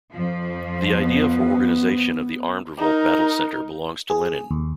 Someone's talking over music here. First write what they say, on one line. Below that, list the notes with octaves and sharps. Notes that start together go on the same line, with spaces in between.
The idea for organization of the armed revolt battle center belongs to Lenin.
F2 F3
B3
D#4 A#4
G#4
D#2